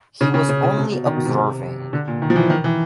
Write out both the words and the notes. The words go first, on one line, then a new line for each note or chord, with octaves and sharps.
He was only observing.
C#3
C#3
C#3
C#3
C3
B2
D#3
B2
C3
D3
A#2
D#3
F3
E3
D#3
E3